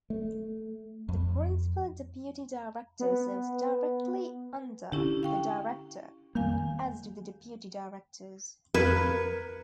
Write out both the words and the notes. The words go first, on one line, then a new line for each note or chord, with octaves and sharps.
The Principal Deputy Director serves directly under the Director as do the Deputy Directors.
A3
F2
B3
D3 C#4 E4 G4
F5 G5 C#6
F2 D#3 G3 A#3 F5 G#5
F2 A#4 B4 F5 G#6 C#7